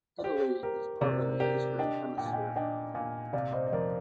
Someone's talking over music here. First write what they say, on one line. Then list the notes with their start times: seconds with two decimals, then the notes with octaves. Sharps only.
Italy is part of the Eastern Hemisphere.
0.18 D5
0.24 G4 C5
0.63 G4 A#4
1.01 C3 D5
1.11 C5
1.20 A#4
1.29 C5
1.40 G4 A#4 D5
1.78 D4 D#5 G5
2.17 A#2 G5
2.26 G#5
2.33 D#5 G5
2.56 D4 D#5 G5
2.94 A#2 F5 G#5
3.33 C3 D5 F5
3.52 C5 D#5
3.67 D#5
3.72 F2 A#4 D5